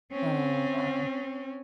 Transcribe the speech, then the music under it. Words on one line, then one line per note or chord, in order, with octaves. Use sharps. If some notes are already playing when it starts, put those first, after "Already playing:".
Oh, wow.
C4 C#4